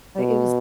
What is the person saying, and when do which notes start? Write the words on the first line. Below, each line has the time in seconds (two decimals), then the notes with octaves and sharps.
Like, it was
0.19 B2